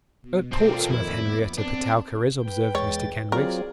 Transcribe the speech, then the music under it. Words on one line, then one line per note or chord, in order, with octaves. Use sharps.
'At Portsmouth, Henrietta Petowker is,' observed Mr Kenwigs.
B2
C4 D4 F4 A4 A#4
F2 A#2 D#3 E4 D6
B3
C4 D4
B4 G5
E2 G#3 C#5 A6
F#3 C4 F4 G#4 A#4 D5